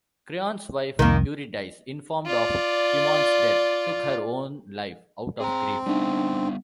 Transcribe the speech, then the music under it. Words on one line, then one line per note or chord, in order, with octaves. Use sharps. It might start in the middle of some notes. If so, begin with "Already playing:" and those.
Creon's wife Eurydice, informed of Haemon's death, took her own life out of grief.
C2 F2 D#3 A#3
F4 D5
C4 G#4 A#5
G3 B3 D4 D#4 E5